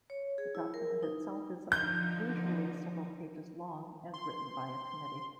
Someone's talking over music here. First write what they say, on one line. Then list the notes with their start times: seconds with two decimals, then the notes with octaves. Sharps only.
The document itself is usually several pages long and written by a committee.
0.10 C#5
0.38 G#4
0.55 E4
0.74 A#4
1.03 D#4
1.72 D3 F3 D#4 G6
4.14 C6